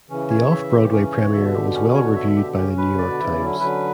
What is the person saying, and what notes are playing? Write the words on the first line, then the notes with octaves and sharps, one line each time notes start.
The Off-Broadway premiere was well reviewed by the "New York Times".
C#3 E3 C#4
C#5
E5
G4
C#4
C#5
B2 D3 E5
G4
C#4
C#5
E5
G4
C#3 C#4
B2
B4
C#3
D5
B2 D3
C#3 E3 E4
D3 F#3 C#4
D3 F#3 B4